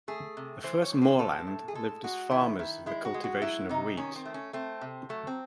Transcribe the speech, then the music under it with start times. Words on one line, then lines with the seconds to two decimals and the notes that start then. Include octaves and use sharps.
The first Moorland lived as farmers of the cultivation of wheat.
0.08 A3 G#4
0.37 C3
0.63 E3 C5
0.82 C#5
0.92 C3
1.02 C5
1.19 A2 A4
1.47 A2
1.68 G#4
1.75 G#3 A4
2.04 G#3 F#4
2.31 D#3 E4
2.59 D#3 E4
2.86 G#3 E4
3.05 F#4
3.14 G#3
3.24 F#4
3.42 F#3 E4
3.69 C3 D#4
3.97 D#3 C#4
4.16 C4
4.25 A3
4.34 C#4
4.53 A3 C4
4.81 C3
5.09 F#3 A3
5.27 C4